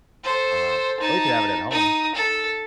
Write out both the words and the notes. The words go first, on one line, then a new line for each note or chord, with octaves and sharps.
Uh, or you could have it at home.
A4 C5
D#4 A5
D#4 D#6
A4